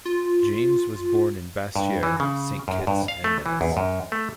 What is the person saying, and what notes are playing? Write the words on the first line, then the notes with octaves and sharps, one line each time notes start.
James was born in Basseterre, Saint Kitts and Nevis.
F4
G2
E3
C#3
F#2
G2
F5
A3
E3
E2
F#2
A3